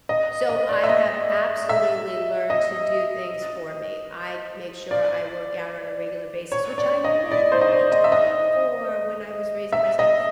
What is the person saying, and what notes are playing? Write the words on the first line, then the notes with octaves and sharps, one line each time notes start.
So I have absolutely learned to do things for me. I make sure I work out on a regular basis, which I never made time for when I was raising my son,
D#5
D#5
D5
E5
D#5
E5
D#5
D5
C#5
D5
D#5
D5
C5
D#5
D5
D#5
E5
D#5
E5
D#5